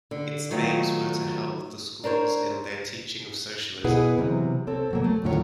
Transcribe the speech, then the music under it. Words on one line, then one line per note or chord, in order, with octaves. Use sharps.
Its aims were to help the schools in their teaching of Socialism.
D3
D#3 F#3 A3 B3 F4
D4 A#4 C5 C#5
B2 E4 G#4 B4 F#5
C3 E3 F#3
C4 A4 C#5
B2 F#3 A#3
A3
D#2 A2 F#3 E4 F4 C#5